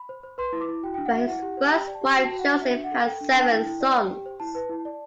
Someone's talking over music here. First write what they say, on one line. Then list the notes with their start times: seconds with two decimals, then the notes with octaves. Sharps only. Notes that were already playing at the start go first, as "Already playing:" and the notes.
By his first wife Joseph had seven sons.
Already playing: B5
0.09 C5
0.23 C5
0.38 B4 C6
0.53 E4
0.61 D6
0.69 E4
0.83 F#4 G5
0.94 D4 G5
1.06 F#5
1.12 F#4 E5
1.27 E4 F#5
1.42 G4
1.57 C5
1.72 G4 G5
1.87 D5
1.94 A5
2.01 G4
2.17 F#4 G5
2.25 A5
2.31 F#4 G5
2.39 F#5
2.46 F#4
2.62 D4 E5
2.76 D4
2.84 F#5
2.91 A4
3.06 A4 G5
3.21 D4
3.30 B5
3.36 D4 A5
3.51 E4 G5
3.66 E4
3.81 D5
3.95 C5
4.11 G4
4.26 C5
4.40 E4 A5
4.55 B4
4.69 E4
4.85 D5